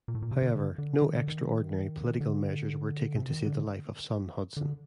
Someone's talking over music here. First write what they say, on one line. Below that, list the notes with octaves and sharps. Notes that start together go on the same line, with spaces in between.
However, no extraordinary political measures were taken to save the life of Sun Hudson.
A#2
A2
A#2
C3
D3
D3
D3
D#3
D3
D#3
D3
C3
D#3
D3
D3